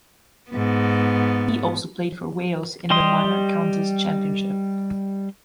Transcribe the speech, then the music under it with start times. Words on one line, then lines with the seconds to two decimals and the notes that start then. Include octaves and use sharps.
He also played for Wales in the Minor Counties Championship.
0.51 G#2 B3
2.90 G3 G4 D#5 C6 D#6